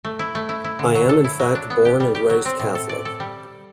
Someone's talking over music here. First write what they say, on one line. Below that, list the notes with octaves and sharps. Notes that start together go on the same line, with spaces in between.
I am in fact born and raised Catholic.
A3
E4
A3
E4
E4
D3
F#3
A4
E4
F#3
D4
B3
G4
G3
G4
F#3
C4
A2
A4
D5
A4
G3